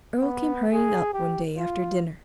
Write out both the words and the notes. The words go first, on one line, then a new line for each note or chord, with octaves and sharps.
Earle came hurrying up one day after dinner.
B3
G#4
G4
F4